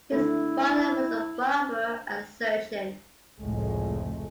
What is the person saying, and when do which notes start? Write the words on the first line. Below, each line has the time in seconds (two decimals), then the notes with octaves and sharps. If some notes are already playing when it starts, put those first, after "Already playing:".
His father was a barber and surgeon.
0.11 D3 A3 E4
3.41 F1 C#2 A2 G#3 A3